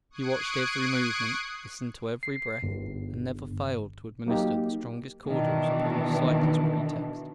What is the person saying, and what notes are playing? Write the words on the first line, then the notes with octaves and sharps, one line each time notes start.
He watched every movement, listened to every breath, and never failed to administer the strongest cordials upon the slightest pretext.
C#6 D#6 F#6 G#6 C7 D7
C7
G1
F#3 A#3 D#4 G4
B2 D#3 E3 D4